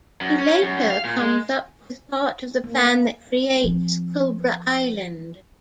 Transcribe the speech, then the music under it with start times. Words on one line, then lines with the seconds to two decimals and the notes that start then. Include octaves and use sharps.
He later comes up with part of the plan that creatres Cobra Island.
0.21 F#2
0.39 C#4
0.63 F#2
0.77 F#2
0.91 F5
1.05 A#2
1.19 G#3
2.64 A#3
3.64 F3 C4